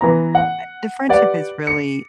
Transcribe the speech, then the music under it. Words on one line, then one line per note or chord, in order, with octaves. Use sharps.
eh, the friendship is really
E3 B3 A#5
F#5
G4 B4 D5 F#5
C#7